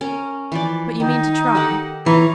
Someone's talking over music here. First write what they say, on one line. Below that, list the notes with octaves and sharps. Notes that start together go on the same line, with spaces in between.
"But you mean to try?"
C#4 A#4
E3 F3 D5
D#3 D#4
G4 A4 F#5
E3 F4 C#5 A#5